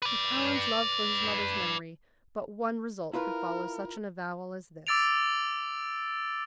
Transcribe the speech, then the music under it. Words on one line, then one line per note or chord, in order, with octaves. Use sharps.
With Allan's love for his mother's memory, but one result could follow such an avowal as this.
B4 D5
E4 F4 A#4 B4
D6 E6 A6 D7 F7